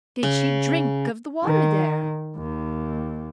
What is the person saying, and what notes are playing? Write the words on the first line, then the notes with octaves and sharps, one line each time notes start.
"Did she drink of the water there?"
C#3
D#3
D#2